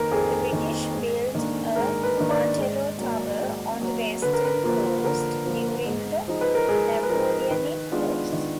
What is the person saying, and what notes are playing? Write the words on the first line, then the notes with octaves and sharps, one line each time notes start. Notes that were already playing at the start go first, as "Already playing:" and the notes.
The British built a Martello tower on the western coast during the Napoleonic Wars.
Already playing: F2 D#3 A#3 A#4 B4
F2 G#4
D#3 A#3
G#2
D#3 A#3 D4
G#2 A#4
B4
D#3 A#3 D4
D5
G#2
F#3 A#3
G#2
F#3 A#3
D3 B4
A#4
B4
F3 A#3 F4
D3 A#4
F3 A#3 F4
G#2
F3 G#3 D#4
B4
A#4
G#2 G#4
B4
F3 G#3 D#4 A#4
D#3 B4
G#3 B3 D4 F4
D#3